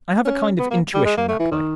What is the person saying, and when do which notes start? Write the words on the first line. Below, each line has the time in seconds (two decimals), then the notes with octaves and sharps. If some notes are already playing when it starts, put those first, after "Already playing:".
I have a kind of intuition that way.
0.25 C#4
0.59 B3
0.70 A#3
0.94 G3
1.05 G#3
1.17 A#3
1.29 A3
1.40 E3
1.51 D#3